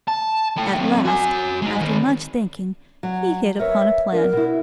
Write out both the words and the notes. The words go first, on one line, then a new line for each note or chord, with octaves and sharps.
At last, after much thinking, he hit upon a plan.
A5
A3 G5
F#3 C4
F#4 G#5
G#3 D#4
D#3 C4
F#3
A#4 B4 C#5 E5
B3 D4 A#4
B2 E4